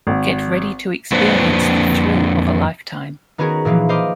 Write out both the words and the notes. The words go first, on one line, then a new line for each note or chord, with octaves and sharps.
Get ready to experience the thrill of a lifetime.
G#1
F2 A#3 D4 B4 C5
D#3 B3 C#4 F#4 G#4 A#4
A#2 E3 F3 A#3 B3
B4 C5 D#5 F5 D6